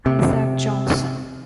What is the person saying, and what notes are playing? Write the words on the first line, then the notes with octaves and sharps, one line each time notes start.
Isaac Johnson.
C3